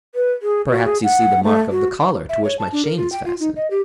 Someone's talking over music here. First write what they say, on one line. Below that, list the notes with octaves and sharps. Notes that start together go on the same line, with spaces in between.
"Perhaps you see the mark of the collar to which my chain is fastened."
B4
G#4
F#4
G#4
F#5
A3
F#4
E5
C#5
A5
D4
A#4
F4
G5
F4
D#4
D#5
G4